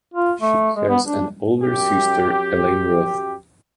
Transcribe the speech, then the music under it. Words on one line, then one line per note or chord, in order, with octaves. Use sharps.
She has an older sister, Elaine Roth.
F4
A3
G#3
B3
D4
F#2 G4